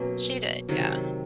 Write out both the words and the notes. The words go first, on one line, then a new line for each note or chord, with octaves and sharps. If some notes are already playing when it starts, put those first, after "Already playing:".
She did, yeah.
Already playing: B2 F#3 A#3 C#4
C3 D#3 F#3